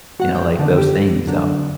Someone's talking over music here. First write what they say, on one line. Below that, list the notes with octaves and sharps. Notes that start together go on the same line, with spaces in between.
you know, like those things, um
F#4 F#5
G5
B2 D3 D#3
G4
F#2 D3